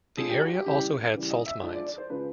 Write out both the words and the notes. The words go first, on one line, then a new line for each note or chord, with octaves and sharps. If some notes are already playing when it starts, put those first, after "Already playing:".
The area also had salt mines.
D3 F3 G#3 G#4
G4
F#4
G4
C#3 E3 G3 G4
C#3 E3 G3
D#5
E5
D3 F3 G#3 D5
D5
D5
C5
C#3 F3 G#3 B4